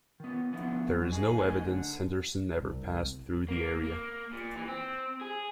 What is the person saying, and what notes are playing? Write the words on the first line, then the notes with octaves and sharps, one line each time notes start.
There is no evidence Henderson ever passed through the area.
D#3 B3
D3 F3 B3
F#2
D#4 G#4
A3 D#4 G#4
D3
C2
A#3
A#3
A#2
E3
C4
G#4